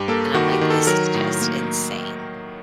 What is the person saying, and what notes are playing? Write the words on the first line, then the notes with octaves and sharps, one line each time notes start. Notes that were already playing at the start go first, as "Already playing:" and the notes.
and I'm like, "This is just insane."
Already playing: G2 G4
A#3 A4
D#3 F#4
G4
D#3
A4
F#3 A#4
A2
A#3